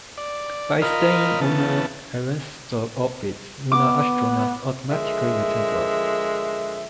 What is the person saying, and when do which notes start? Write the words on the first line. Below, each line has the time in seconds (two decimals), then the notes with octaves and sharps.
By staying on the Arenstorf orbit, lunar astronauts automatically return to Earth.
0.18 D5
0.82 F4 A#4 D#5 B5 F6
1.41 C#3 E3 B3 A5
3.72 B3 D6
4.90 D3 F3 G#3 A#4 E5